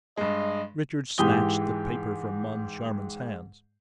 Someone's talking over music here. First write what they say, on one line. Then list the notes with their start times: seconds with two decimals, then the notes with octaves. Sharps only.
Richard snatched the paper from Moncharmin's hands.
0.17 G2 G#3 D#5
1.18 G#2 E3 G#3 G4 D#6 G7